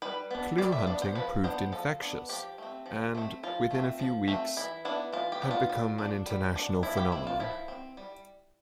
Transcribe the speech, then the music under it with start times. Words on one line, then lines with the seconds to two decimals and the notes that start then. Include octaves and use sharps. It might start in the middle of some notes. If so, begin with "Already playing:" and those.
Clue-hunting proved infectious and, within a few weeks, had become an international phenomenon.
0.02 G3 B4
0.31 B3 D4
0.58 G3 D5
0.72 E5
0.87 B3 D4 D5
1.02 C5
1.15 F3 B4
1.44 B3 D4 C5
1.72 F3 A4
2.01 B3 D4
2.29 F3 G4
2.58 A3 C4
2.86 F3
3.15 A3 C4
3.43 F3 F4
3.71 A3 C4
3.99 F3
4.28 A3 C4
4.57 E3 E4
4.85 B3 D4 E4
5.13 E3 F4
5.32 G4
5.42 B3 D4
5.51 F4
5.70 G3
5.98 D4
6.26 G3
6.56 D4
6.83 F3 E4
6.97 G4
7.12 C4 E4
7.27 F4
7.40 F3 E4
7.68 C4
7.97 G3